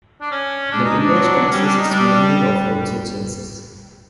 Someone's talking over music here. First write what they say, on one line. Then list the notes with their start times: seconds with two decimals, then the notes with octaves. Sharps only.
The village consists mainly of roadside services.
0.21 D4
0.32 C#4
0.72 G#3 D4
0.85 D#4
0.99 D4
1.12 F#3
1.47 D4
1.51 G3 C#4
1.64 D4
1.77 D#4
1.90 G3 D4